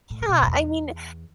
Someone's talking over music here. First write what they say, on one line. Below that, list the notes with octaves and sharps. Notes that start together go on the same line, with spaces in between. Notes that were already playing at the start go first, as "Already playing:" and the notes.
Yeah, I mean s
A2
C#3
B2
F#2
E2